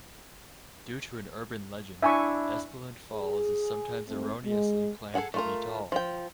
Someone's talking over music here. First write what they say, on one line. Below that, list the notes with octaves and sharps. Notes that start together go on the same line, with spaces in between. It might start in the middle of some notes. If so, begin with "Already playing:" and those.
Due to an urban legend, Espeland Falls is sometimes erroneously claimed to be tall.
D4 E4 E5 G#5 C#6
G#4
G#2 A3 C4
G#3
G#4 A4 E5 F#5 G#5
A3 F4 A#4
F3 G5